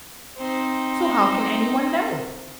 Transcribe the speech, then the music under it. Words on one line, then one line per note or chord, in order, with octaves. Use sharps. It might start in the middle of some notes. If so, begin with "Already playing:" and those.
So how can any one know?
C4 D#4